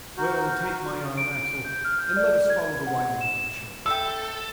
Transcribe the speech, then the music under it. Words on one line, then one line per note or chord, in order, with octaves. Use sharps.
"Well, take my arm, Axel, and let us follow the windings of the shore."
F#4 A#5 F6 G6
D7
G6
F6
G6
D5
G#6
F#5
E7
A4 E5 G5 E6